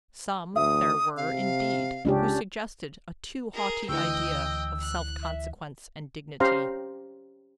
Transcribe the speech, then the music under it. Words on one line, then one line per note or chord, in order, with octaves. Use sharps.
Some there were, indeed, who suggested a too haughty idea of self-consequence and dignity.
D2 E5 D#6
C3 F5
C#2 C#3 C#4 D4 G4
G#4 A#4
D2 E3 D#5 G5 E6
F#6
E5
C#4 G4 C5 F5 A#5